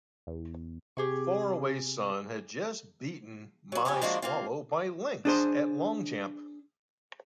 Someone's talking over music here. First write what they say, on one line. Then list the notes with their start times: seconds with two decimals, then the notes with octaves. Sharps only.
Faraway Son had just beaten My Swallow by lengths at Longchamp.
0.27 E2
0.97 C3 G4 G#4 C#6
3.72 F#3 F#4
3.85 F2 B3 G4 C#5 G#5
4.01 F3 G#3 A#3 D4 F4 F#4
4.22 A#3 C4 F4
5.25 D4 G#4 C5